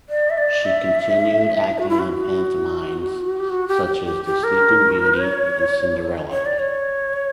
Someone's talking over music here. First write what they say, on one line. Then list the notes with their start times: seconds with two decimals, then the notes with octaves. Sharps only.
She continued acting in pantomimes such as "The Sleeping Beauty" and "Cinderella".
0.09 D5
0.30 E5
0.38 D5
0.65 E5
1.79 F#4
1.89 E4
1.99 F#4
3.39 G4
3.50 F#4
3.68 G4
3.87 G4
4.05 G4
4.25 G4
4.44 A#4
5.19 C#5
6.32 C#5
6.46 D5
6.59 C#5